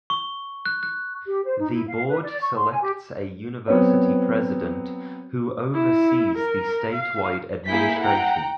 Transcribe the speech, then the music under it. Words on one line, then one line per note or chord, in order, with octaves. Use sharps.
The Board selects a University President who oversees the statewide administration.
C#6
F#6
F#6
G4
C5
D#4
E4
F5
B4
D5
C#6
C6
G#5
G4
F#3 B3 C4 C#5
E4
A#4
F5
A#3 E4 G#4 G6 B6
F#5 G5 A#5